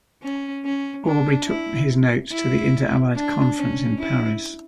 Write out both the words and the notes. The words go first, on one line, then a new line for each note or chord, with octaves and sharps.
Aubrey took his notes to the Inter-Allied Conference in Paris.
C#4
C#4
D4
E4
E4
D4
C#4
E4